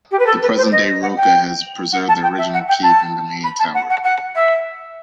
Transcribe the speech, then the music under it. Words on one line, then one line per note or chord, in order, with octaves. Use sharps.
The present-day Rocca has preserved the original keep and the main tower.
G4
B4
A4
B4
C5
D#5
F#5
G5
F#5
A5
G5
E5
F#5
G5
A5
B5
A5
F#5
F#5
F#5
E5